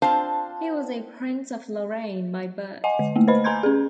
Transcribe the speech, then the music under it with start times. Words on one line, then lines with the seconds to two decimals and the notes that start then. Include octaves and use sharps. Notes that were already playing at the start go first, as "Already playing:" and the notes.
He was a prince of Lorraine by birth.
0.02 C4 D4 F4 C5 F5 A5
2.84 D#5 F#5 G#5
2.99 D3
3.16 A3 A#3
3.28 B4 C5 D#5 B5
3.44 B4 G#5 A#5 C6 G6 G#6
3.63 C#4 G#4